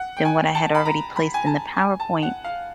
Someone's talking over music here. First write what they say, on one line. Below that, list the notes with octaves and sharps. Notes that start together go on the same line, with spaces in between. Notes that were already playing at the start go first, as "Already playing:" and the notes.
than what I had already placed in the PowerPoint,
Already playing: F#5
G5
G#5
A5
B5
A#5
B5
G#5
A5
G#5
A5
F#5
F5